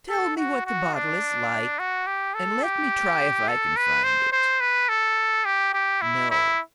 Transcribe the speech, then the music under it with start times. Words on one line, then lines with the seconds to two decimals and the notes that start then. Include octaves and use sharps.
'Tell me what the bottle is like, and let me try if I can find it.' No!
0.10 A4
0.37 F#4
0.66 F#4
0.94 D4
1.79 F#4
2.07 G4
2.34 A4
2.63 G4
3.48 A4
3.76 B4
4.04 C5
4.32 C5
4.61 B4
4.89 A4
5.45 G4
5.73 G4
6.02 E4
6.30 E4